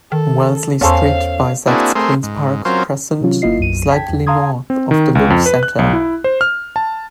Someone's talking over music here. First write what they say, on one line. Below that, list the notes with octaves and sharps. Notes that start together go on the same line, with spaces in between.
Wellesley Street bisects Queen's Park Crescent slightly north of the loop's centre.
D#3 A4
E2 C#4 A4 C5 F5
A#3 C4 D4 E4 F#4 G#4
A3 C4 G#4 A#4 C6
G#2
F#3 C4 C#4 F4 A#4 C5
C3 D#3 F#3 C#4 F4
G1 A#3 E4 F4 D#5 C7
B1 F#2 D#7
G5 A5 G#6 B6
E2
F5 A5 A#5 C6 D#6 G#6
C4
D#3
C#2
F2
B4
F#6
B1
E4
C5
F6
A5